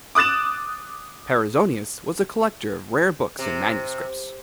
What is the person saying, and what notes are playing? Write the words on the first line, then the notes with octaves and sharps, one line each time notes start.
Perizonius was a collector of rare books and manuscripts.
D6 D#6 F#6 A6 E7
C3